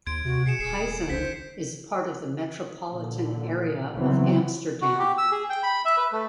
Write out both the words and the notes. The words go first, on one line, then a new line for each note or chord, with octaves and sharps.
Huizen is part of the metropolitan area of Amsterdam.
D#2 C6 G#6 D7
C3 F#4
B2 G#4 C7 C#7 E7
D#1 G#4 C7 E7
C2 C5 B6
A#2 D3
C#3 E3 F#3 B3 C4
F#4
G4
E6
G#4
G5
B5
E5
B4
A3